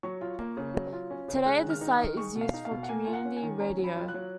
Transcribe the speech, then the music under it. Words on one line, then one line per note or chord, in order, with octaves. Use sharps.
Today the site is used for Community Radio.
F#3 C#6
F4
A#3
C#3
F#3
F4
C#4
C#3
G#3 F#6
D#3
F6
D#4
D#6
D#3
G#3 C#6
B2
F5
D#4
F5
B2
F#5
A#3 G#5
F4 G#5
F#5
C#4
G#5
D#3
C#4 A#5
F#3
B5
F4
F#6
F#3